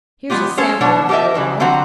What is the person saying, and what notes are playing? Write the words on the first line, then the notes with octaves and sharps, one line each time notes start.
'Here's a sample of real Art.
G#3 A#3 B3 F4 G4
C#4 A4 C5 C#5
B2 F#3 D4 C#5 A5
G4 A4 A#4 D#5 E5
C#3 E3 F#3 G3
D3 F#3 C4 F#4 F#5 A#5